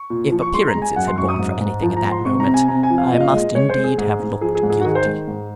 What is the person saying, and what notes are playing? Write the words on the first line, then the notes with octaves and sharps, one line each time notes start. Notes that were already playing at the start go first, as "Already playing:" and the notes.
If appearances had gone for anything at that moment I must indeed have looked guilty.
Already playing: C#6
A#2
F3
C#6
G#3 C6
A#5
G#3
G#5
F#2 F#5
C6
F#2 C#6
D#6
G#2
G#2
F3
A#5
G#2
C6
C3 C#6
A#5
C3
G#5
C3 A#5
G#5
F3
F5
A#2 D#5
F5
G#3 D#5
G#3 C#5
C5
G#3
G#4
G#2 G#4
G#2
F3 G#4
G#4
G#2
G#4
F#4
D#3 G#4
C5
G#3
G#2